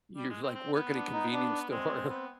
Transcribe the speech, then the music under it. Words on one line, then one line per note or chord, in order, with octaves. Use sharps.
you, like, work in a convenience store,
G3
G#3
C4
C4
B3
D4
D#4
D4
G#3 C4
B3